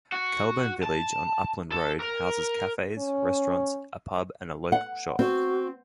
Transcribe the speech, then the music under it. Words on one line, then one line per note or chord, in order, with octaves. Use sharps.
Kelburn Village, on Upland Road, houses cafes, restaurants, a pub and local shops.
F#4
A5
A4
A#4
C#4
F#5
C4 F#4